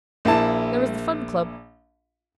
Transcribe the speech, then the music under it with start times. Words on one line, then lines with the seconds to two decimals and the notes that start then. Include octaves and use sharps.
There was the Fun Club.
0.25 A#1 A#3 E4 A5